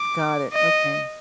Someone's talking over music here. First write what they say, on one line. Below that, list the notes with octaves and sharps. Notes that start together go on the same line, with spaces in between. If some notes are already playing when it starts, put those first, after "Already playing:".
Got it, okay.
Already playing: D6
D#5